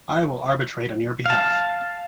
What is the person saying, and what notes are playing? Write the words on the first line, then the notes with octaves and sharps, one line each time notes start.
I will arbitrate on your behalf.
F5 A5